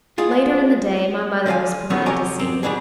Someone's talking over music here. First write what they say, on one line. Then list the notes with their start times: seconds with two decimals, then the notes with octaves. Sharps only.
Later in the day, my mother was permitted to see me.
0.18 G#3 F4 G#4
1.46 D3 F3 D5 F5 G#5
1.90 D#3 F3 F#3 A3 B3 C#4
2.06 F2 C3 G4 C#5 G#5 A#5
2.40 C4
2.63 B2 F3 G3 D4 G#4